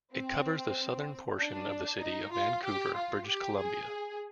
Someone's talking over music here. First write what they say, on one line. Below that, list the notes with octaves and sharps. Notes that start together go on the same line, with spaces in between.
It covers the southern portion of the city of Vancouver, British Columbia.
C4
D4
D#4
F4
G4
F4
G4
G#4